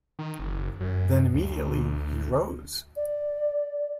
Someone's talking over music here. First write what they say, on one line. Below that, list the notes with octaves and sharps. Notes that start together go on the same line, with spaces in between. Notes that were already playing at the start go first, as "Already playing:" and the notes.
Then immediately he rose.
D#3
F#1
F#2
D2
D5